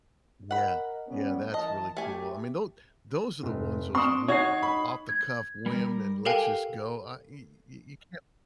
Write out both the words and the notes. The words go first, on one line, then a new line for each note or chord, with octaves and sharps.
Yeah. Yeah, that's really cool. I mean, tho those are the ones, those woo o off the cuff whim and let's just go. I y y y you can't
A#4 D#5 F#5 B5
G3 B3 C#4
E3 A#4 D#5 A5
A3 G4 G#5
F1
C4 D4 C6 C#6 D#6
D#4 F#4 C#5 G#6 C7
B5
G#6
G3 A#4
G4 A4 A#4 F5 G5 G#5